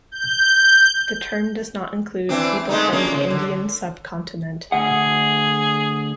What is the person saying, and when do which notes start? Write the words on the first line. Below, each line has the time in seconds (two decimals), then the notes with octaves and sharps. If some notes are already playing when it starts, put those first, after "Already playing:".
The term does not include people from the Indian subcontinent.
0.12 G6
2.29 E3 C4 D4
2.69 G#3 A3 D#4
2.93 A#3 C#4 D4
3.14 C#3
3.30 D3
4.72 D2 G#4 F#5